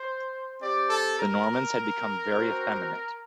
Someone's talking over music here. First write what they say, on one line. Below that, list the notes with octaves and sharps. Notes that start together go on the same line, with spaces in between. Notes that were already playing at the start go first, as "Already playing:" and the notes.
The Normans had become very effeminate.
Already playing: C5
C4 G4 D5
A4
A#4
C4 F#4